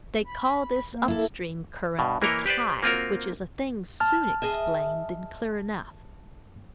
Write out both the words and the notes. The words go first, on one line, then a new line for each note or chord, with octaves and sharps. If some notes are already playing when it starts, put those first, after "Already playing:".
They call this up-stream current the tide, which is a thing soon explained, and clear enough.
B5
A#3
E4 A4
G2 B2
E3 A#3 E4 A#4 C#5 D#5
G4 B4 C5 D5
A#3 C4 F4 F#4 A#4
A5 F6
G#4 D#5 E5